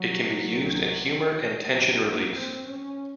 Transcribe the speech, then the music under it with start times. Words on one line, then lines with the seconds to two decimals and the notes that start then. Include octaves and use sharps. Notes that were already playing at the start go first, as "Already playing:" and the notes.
It can be used in humor and tension release.
Already playing: F#3
0.50 C2 C3
1.73 A#1 G#2 F#3
2.03 A#3
2.34 C4
2.65 C#4